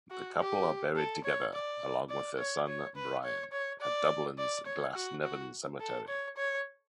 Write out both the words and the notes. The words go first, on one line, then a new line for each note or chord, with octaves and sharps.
The couple are buried together, along with their son Brian, at Dublin's Glasnevin Cemetery.
F#4
G4
A4
C#5
D5
D5
C#5
C#5
B4
C#5
C#5
D5
D5
C#5
F#4
F#4
A4
C#5
C#5